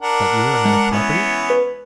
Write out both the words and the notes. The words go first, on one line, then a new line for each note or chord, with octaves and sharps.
'That you are a man of property?'
D4 A#4 F#5
G#3
E3 B3 C#4
B4